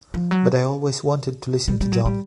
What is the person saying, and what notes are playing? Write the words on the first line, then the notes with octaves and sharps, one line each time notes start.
But I always wanted to listen to John.
F3
F#3
G3
G3
F#3
G3